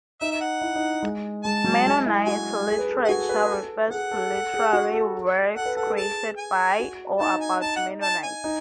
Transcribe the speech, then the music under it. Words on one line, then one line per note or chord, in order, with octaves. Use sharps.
Mennonite literature refers to literary works created by or about Mennonites.
D#4 E5
E5
F#5
E4
D#4
G#3
G#3 A5
F#3
G#3
E4
F#4 G#5
G#4
B4
A4
G#4
F#5
F#4 G#5
A4
B4
A4
G#4 F#5
A4
A4
G#4
F#4
A4
A4 F#5
B4
A4 F#5
G#4
A5
G#5
F#4
D#4 A5
G#5
A5
F#5
A5
G#5
D#4